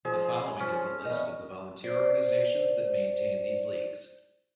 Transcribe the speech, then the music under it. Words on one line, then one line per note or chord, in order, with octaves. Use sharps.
The following is a list of the volunteer organizations that maintain these leagues.
F3 G#4
F3 C#4
E2 D#5
C5 D5